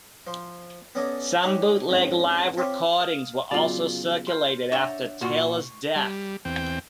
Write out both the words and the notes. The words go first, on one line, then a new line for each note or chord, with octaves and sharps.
Some bootleg live recordings were also circulated after Taylor's death.
F3 C5
B3 C#4 A4 D5 D#5 G#5
D#4 G4 G#4 C#5 F#5
F2 G#2 C#3
C4 F4 G4 C#5 E5
F5 D#6 F6
C#3 F#3 B3 F4 D5
C6 F6 G6
D4 C#5 E5 F#5
A#2 F4 F#4 C6 C#6
G3
E2 C4 G5